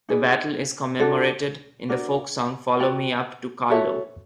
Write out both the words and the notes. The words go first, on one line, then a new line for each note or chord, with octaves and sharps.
The battle is commemorated in the folk song "Follow me up to Carlow".
D#4 G#4 B4 D5
D4 F#4 A4 D5
D4 F#4 A#4 D5
F#4 B4 D5 G5
F#4 A4 C#5 E5